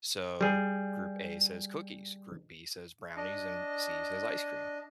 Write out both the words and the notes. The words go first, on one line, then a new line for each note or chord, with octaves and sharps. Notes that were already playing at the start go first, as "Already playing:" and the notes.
So, group A says "cookies", group B says "brownies", and C says "ice cream".
G3 G#4
D4 D#5